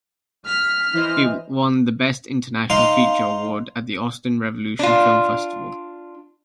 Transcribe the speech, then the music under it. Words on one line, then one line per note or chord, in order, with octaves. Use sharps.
It won the Best International Feature award at the Austin Revolution Film Festival.
F6 B6
E3 E4 C5 D#5
D#4 F5 C6
D4 F4